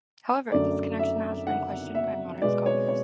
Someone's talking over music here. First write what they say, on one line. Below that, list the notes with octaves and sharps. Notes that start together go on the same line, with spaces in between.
However, this connection has been questioned by modern scholars.
F#2 D3 A3 D5
E5
F#5
E5
B2 G#3 B3 D5
C#5
C#5